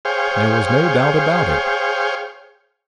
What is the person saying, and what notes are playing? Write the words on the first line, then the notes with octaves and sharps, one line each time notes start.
There was no doubt about it.
G#4 C5 C#5 F5 G5